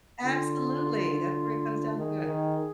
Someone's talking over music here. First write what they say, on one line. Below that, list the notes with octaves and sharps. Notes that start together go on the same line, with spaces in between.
Absolutely, that's where it comes down to it.
D3 F4
D#3 G#4
D#3